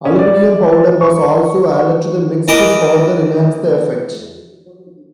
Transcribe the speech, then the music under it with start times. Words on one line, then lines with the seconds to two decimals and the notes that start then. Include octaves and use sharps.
Aluminium powder was also added to the mix to further enhance the effect.
0.05 C#4
0.19 D5
1.01 C#6
2.48 E3 A#4 B4 D#5 A5 D6